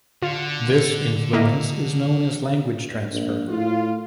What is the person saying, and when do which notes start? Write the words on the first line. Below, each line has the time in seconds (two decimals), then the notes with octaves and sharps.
This influence is known as "language transfer".
0.22 D3 F4
1.33 A#3 D#5 E5
3.12 A#1
3.49 A2 F4